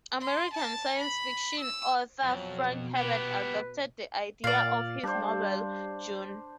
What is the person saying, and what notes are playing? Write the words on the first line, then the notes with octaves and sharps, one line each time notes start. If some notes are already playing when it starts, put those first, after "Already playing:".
American science fiction author Frank Herbert adopted the idea for his novel "Dune".
C6
A5
B5
E6
F2 B2 F#3
B3 G4 B4
A#2 D5 F5
G3 D4 C5